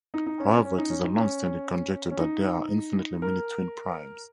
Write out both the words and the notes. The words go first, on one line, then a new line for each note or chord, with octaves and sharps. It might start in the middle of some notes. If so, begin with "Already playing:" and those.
However, it is a longstanding conjecture that there are infinitely many twin primes.
D#4
D#4
C#4
C#4
C#4
D#4
C#4
D#4
C#4
C#4
D#4
A#4